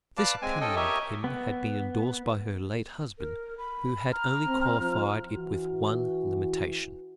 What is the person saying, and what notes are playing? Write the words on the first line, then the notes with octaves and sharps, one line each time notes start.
This opinion of him had been endorsed by her late husband, who had only qualified it with one limitation.
B4 D5 F5 A5 D6
G#3 C4 G#5
C#4 A4 D#5 G5
G4 A#4 C#5 D#5 E5
B3
A#4
B5
A#5 F6
C4
F3
E3 F#4